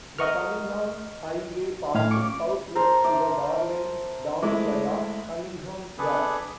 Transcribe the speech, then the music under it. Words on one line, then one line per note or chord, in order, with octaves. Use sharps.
The Cunningham Highway passes southwest to the Darling Downs via Cunninghams Gap.
A#4 D#5 F#5 C#6 F6
A2 C#4 F5
C#6 D6
A4 A#4 C5
E5 D6
G#3 A3 E4 D6
B3 D4 G#4 A4 B4